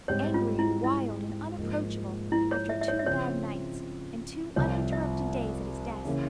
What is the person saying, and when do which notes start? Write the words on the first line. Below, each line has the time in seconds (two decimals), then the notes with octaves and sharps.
Angry and wild and unapproachable, after two bad nights, and two uninterrupted days at his desk.
0.08 G#2 G3 C4 G4 C5 C#5
0.34 F4
0.59 E4
0.84 E4
1.58 G#2 F3 A#3
2.32 E4
2.52 C#5
2.69 E5
2.81 E5
2.88 C#5
2.99 E5
3.06 C#3 F3 C4 E4 C#5
4.56 C2 C3 F3 C#5
4.92 E5
6.05 C#3 E3 A#3 C#4